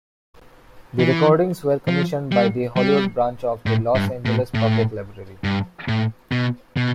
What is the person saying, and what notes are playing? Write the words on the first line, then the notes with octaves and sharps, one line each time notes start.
These recordings were commissioned by the Hollywood branch of the Los Angeles Public Library.
E3
F3
G3
G3
A2
G2
A2
A2
G2
A2
B2
B2